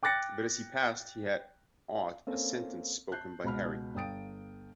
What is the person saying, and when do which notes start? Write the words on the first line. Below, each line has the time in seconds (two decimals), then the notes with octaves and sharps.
But as he passed he had aught a sentence spoken by Harry.
0.03 G5 D6 F#6 A6 A#6 C#7
2.27 A#3 C4 C#4 A4
3.11 A5 F#6 G6 C7
3.44 C#2 B2 B5 F6
3.95 G1 F5 G5 D#6 A6 D7